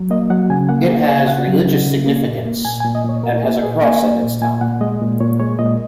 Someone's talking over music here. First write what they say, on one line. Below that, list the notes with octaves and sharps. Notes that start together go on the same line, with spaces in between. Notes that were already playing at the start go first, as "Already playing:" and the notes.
It has religious significance, and has a cross at its top.
Already playing: F#3
A#3 D#5
F#3 F#5
C#3 G#5
A#3 F#5
A#3 G#4
C#3 G#4
C#3 F#5
F#3
C#3
C#3
A#3
A#2
A#3
A#2 G#5
G#5
A#2
D#5
A#2 C#5
A#2 A#4
A#3 G#4
A#2 G#4
A#3 G#5
A#3
A#2
A#2 G#5
A#2 F#5
G#3 D#5
A#2
A#2 C#5
G#3 C#5
A#2 D#5